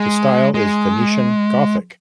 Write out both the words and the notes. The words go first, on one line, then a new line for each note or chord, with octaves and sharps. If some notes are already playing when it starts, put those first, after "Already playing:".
The style is Venetian Gothic.
Already playing: G#3
G#3